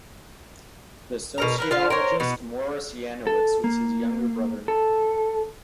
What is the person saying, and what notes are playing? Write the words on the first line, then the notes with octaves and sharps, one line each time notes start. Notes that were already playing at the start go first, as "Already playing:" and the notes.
The sociologist Morris Janowitz was his younger brother.
B2 A#4 A#5
A#3 A#4 B4
F4 C5 F5
A#4 C5 C#5
B2 B3
A4
A#3
A4